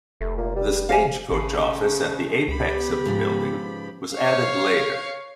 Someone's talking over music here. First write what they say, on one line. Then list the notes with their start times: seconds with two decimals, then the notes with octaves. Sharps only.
The stage coach office at the apex of the building was added later.
0.21 F1 A3
0.38 A#2
0.56 G3
0.89 C3 F5 G#5
1.31 G#1 C#3 A3 B5 C7
2.48 C#2 B3 G4 B5
3.05 G#2 C#3 F3
4.14 C#5 F5